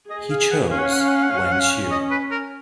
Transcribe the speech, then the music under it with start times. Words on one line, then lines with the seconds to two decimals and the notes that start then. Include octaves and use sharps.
He chose Wenxiu.
0.10 G#4 D#5
0.31 F5
0.51 F#5
0.71 C#4 F5
0.78 F#5
0.85 F5
0.93 F#5
1.00 F5
1.08 F#5
1.15 F5
1.22 F#5
1.30 C#4 F5
1.37 F#5
1.45 F5
1.52 F#5
1.59 F5
1.91 D#5
2.11 B4
2.31 A#4